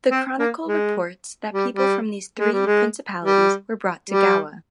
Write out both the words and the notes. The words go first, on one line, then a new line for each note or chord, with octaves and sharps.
The chronicle reports that people from these three principalities were brought to Gowa.
C4
A#3
G#3
G3
G3
G#3
G3
G#3
G3
G3